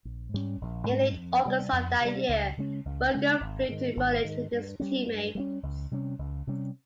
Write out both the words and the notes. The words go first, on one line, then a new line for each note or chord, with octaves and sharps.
In late August of that year, Berger flew to Munich with his teammates.
A#1
G#2 G3 C#4
A#1
G#2 G3 C#4
F2
C3 G3
F2
C3 G3
C#2
C#3 G#3 C#4
C#2
C#3 G#3 C#4
G#1
G#2 D#3
G#1
G#2 D#3
G2
G3 A#3 C#4
G2
G3 A#3 C#4
C#2
C3 G3 C#4
C#2
C3 G3 C#4